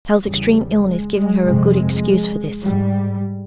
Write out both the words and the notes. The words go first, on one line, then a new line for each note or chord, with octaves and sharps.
Hale's extreme illness giving her a good excuse for this.
E2 C#3 G3
G#3
G#3
F2 C3 G#3
G#2 G3